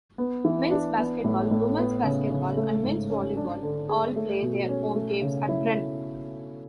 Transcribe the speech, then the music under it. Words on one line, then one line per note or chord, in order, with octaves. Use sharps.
Men's basketball, women's basketball, and men's volleyball all play their home games at Bren.
B3
E3
D4
B3
A2
A2
B3
C#3
C#3
A3
G#2
C#4
D4
D3
G#4
A3
B2
C#4
A3
C#3
E4